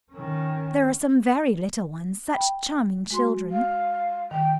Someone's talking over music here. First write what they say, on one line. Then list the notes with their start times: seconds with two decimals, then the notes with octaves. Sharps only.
There are some very little ones--such charming children.
0.12 D#3 C#4
2.31 G5 B5
3.10 G#3 F#4 C6
3.52 F5
4.31 D#3 G5